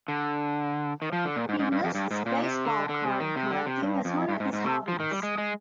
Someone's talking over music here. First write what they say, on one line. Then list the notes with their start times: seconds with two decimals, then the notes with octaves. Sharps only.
He lists baseball card collecting as one of his hobbies.
0.08 D3
1.02 D#3
1.13 F3
1.25 D3
1.36 A#2
1.49 G#2
1.59 G#2
1.72 G2
1.84 F2
1.95 G2
2.11 G#2
2.26 A#2
2.42 C3
2.65 D3
2.89 D3
3.05 C3
3.20 D#3
3.36 C3
3.51 D3
3.66 C3
3.82 G2
4.05 F2
4.29 G2
4.40 G#2
4.53 G#2
4.65 C3
4.88 F3
5.00 D#3
5.11 G3
5.23 G#3
5.38 G#3